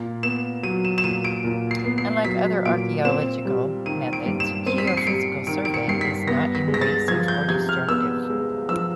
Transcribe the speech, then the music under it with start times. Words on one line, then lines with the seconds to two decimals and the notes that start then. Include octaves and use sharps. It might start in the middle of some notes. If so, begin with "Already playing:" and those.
Unlike other archaeological methods, geophysical survey is not invasive or destructive.
Already playing: A#2
0.23 B3 E7
0.63 F#3 D#7
0.85 E7
0.98 E7
1.04 A#2 D#7
1.24 D7
1.44 A#2
1.71 C7
1.84 B3
1.98 C7
2.25 F#3 B6
2.65 A#2 D7
3.05 C4 E7
3.45 G3
3.86 D#3 D#7
4.13 D7
4.26 G2
4.40 E7
4.66 C4 D#7
4.78 B6
4.87 C7
4.97 C#7
5.07 G3 D7
5.47 D#3 D7
5.65 D7
5.74 C#7
5.88 G2 C7
6.01 B6
6.28 B3 A#6
6.55 B6
6.68 G#3
6.74 A#6
6.81 A6
7.08 F3 G#6
7.28 G6
7.48 C3 G#6
7.69 F6
7.89 B3 E6
8.30 G#3
8.69 F3 E6